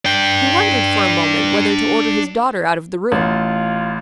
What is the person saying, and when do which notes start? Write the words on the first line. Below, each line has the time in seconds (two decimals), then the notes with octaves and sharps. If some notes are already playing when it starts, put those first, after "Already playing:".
He wondered for a moment whether to order his daughter out of the room.
0.05 D4 G5
3.12 A1 F4